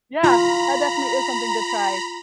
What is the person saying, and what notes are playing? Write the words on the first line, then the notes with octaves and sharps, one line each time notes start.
Yeah. That definitely is something to try.
F4 A#5 B5